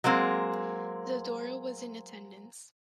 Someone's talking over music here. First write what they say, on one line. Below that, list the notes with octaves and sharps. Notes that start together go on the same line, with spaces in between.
Zadora was in attendance.
F#3 G#3 A#3 C4